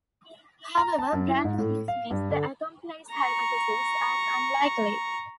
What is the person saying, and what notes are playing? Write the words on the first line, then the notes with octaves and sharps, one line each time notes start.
However, Brandon dismissed the accomplice hypothesis as unlikely.
A#5
A5
F#2
E4
G#2
A2
F5
G2
D3
A#5 C#6